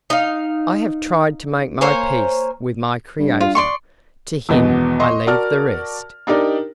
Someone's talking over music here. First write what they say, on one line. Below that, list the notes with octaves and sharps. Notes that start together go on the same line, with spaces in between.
I have tried to make my peace with my Creator; to Him I leave the rest.
D#4 F5
A#3 C5 C#5 G#5
G2
F4
D5 C6 C#6
G#1 E2 B2 B3 D#5
D#5 C6 C#6
F#4 A#4 D5 A5 F6
D4 D#4 G4 A#4 D5